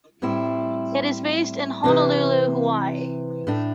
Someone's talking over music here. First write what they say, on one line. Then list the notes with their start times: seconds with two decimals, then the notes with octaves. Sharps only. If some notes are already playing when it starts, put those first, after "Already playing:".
It is based in Honolulu, Hawaii.
0.22 A2 G3 C4 E4
1.84 C3 E3 C4
3.47 A2 A3 D4